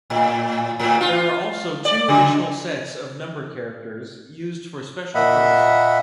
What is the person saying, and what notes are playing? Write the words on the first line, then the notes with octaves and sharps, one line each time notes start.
There are also two additional sets of number characters used for special purposes.
A2
A2
F4
D5
C#3
A#2 A#3 D#5 E5 F#5 B5